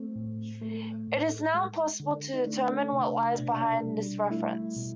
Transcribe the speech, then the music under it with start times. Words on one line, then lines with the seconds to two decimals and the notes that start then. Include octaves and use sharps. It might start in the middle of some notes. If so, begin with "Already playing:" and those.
It is now impossible to determine what lies behind this reference.
Already playing: A3 C4
0.16 A2
0.61 A3
1.08 A2
1.54 G#3
2.00 D3
2.34 D#4
2.46 A3 D4
2.93 C3
3.38 B2 D4
3.85 G3
4.30 A3 E4
4.77 B2